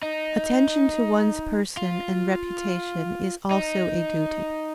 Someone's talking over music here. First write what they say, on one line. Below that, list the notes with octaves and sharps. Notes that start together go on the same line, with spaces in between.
Attention to one's person and reputation is also a duty.
D#4
F4
D#4